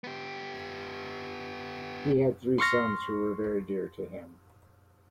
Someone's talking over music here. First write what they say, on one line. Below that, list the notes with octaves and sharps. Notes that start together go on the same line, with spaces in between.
He had three sons who were very dear to him.
B3 G4
C6 C#6 F6 A#6